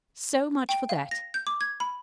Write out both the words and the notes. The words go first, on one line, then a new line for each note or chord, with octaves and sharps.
So much for that.
G5
F5
A#6
G6
D6
G#6
B5